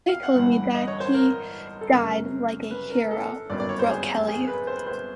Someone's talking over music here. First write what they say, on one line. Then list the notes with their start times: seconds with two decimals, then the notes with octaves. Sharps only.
'They told me that he died like a hero,' wrote Kelly.
0.09 F5
0.23 F#5
0.35 G1 G2 E3 F#5
0.75 D#5
0.88 C#5
1.00 C5
1.14 A#4
1.81 A4
1.92 G1 F#2 C#3 A#4
2.71 B4
2.90 A#4
3.11 A4
3.50 G1 F#2 D#3 F#3 B3 D5
3.60 D5
3.69 C#5
3.79 C5
3.89 G#4
4.28 G#4
4.47 B4
4.67 C5
4.77 B4
4.87 C5